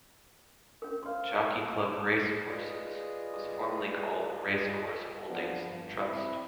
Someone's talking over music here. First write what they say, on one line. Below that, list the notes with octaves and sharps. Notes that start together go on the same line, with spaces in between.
Jockey Club Racecourses was formerly called Racecourse Holdings Trust.
C#4 A#4
C5 F5 C6
F4 G#4 B4 D5 D#5
D3 F3 B3
G2
C4 E4